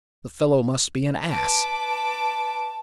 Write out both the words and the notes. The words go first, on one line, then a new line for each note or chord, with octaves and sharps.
The fellow must be an ass!
B4 A5 D6